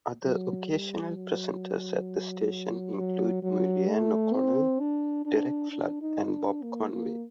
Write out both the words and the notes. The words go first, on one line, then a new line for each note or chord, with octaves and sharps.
Other occasional presenters at the station include Muireann O'Cononell, Derek Flood and Bob Conway.
F#3
G3
F#3
F#3
F#3
A3
C4
D4
D4
D4
D#4
D4
A#3
A#3